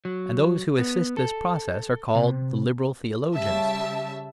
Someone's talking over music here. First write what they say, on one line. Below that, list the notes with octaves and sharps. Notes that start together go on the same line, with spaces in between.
And those who assist this process are called the "liberal theologians."
F#3
B3
A4
C3
C#3 G3 E5 A5